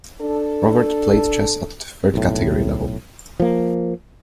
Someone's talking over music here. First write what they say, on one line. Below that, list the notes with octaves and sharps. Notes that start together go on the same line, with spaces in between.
Rogard played chess at third category level.
D4 A4
B1 A2
F3 A#3